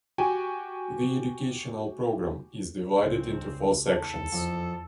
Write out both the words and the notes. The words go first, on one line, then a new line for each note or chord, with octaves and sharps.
The educational program is divided into four sections.
F#4 G4 G5 G#5
C#2 G2 C4
E2 A4
F2